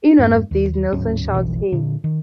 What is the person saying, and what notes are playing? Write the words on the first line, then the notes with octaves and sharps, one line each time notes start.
In one of these, Nielsen shouts, Hey!
F2 G#2
D#2
D1 G#2 F#3 C#4
F1 A#1 B2 E3
A#2 D3
D#3